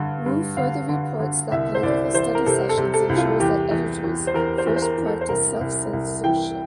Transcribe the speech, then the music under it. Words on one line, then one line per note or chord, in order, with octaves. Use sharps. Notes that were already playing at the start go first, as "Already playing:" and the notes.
Wu further reports that, political study sessions ensures that editors first practice self-censorship.
Already playing: G2 D3
G2
D3 F5
D3
D3
C2 E5
C5
C2 D5
E3 C5
A#4
C3 A4
A4
C3
A4
C2
F4
E2 G4
E2
E2
C5
E2 A#4
C5
E2
C5
A#4
E2
A4
C5
C2 A#4
C2
C2
E3 G5